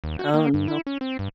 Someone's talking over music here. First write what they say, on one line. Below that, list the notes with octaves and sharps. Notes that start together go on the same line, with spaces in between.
Oh, no.
D#2
F#4
A#3
G2
E4
C#4
C4
G2